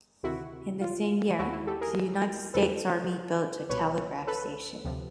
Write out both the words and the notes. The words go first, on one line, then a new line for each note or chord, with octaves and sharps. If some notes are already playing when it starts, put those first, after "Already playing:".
In the same year, the United States Army built a telegraph station.
D2 C3 D#3 E4 F#4
F4
D#2 D#3 E4 F#4
E4
G4 A4
G#4 A#4
F2 C#3 F3 A4 B4
C2 B2 B4 C#5
A4 B4
D2 C3 F3